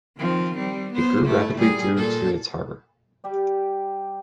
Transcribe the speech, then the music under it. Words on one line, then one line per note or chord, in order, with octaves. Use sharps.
It grew rapidly due to its harbor.
D#3 F3 C4
G3 C4
B3 C5
A3 E4
A#2 G3 G#4
A#2 A4
G3 G4 D5